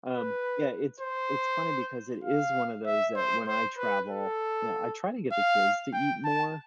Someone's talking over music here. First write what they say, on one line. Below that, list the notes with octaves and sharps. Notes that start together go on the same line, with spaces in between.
um, yeah. It's it's funny because it is one of those that, when I travel, you know, I try to get the kids to eat more,
B4
C5
F5
E5
C5
C5
B4
A4
F5
G5
A5